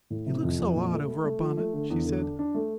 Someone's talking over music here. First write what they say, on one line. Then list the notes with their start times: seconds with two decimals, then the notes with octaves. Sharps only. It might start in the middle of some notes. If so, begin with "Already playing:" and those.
"It looks so odd over a bonnet," she said.
0.10 A2
0.26 C3
0.43 F2
0.60 F2
0.75 A#2
0.92 A3
1.08 A3
1.24 A3
1.40 F3
1.57 A3
1.73 D3
1.90 E2
2.05 D3
2.21 D4
2.39 D4
2.54 A3